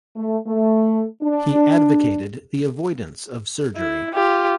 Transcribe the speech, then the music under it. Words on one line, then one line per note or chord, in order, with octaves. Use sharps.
He advocated the avoidance of surgery.
A3
A3
D4
E4
F4 G4